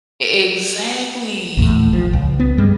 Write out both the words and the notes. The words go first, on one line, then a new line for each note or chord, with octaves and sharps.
E exactly.
A#1 E2 A2
A#1 F3
C#2
B3
G2 G3 G#3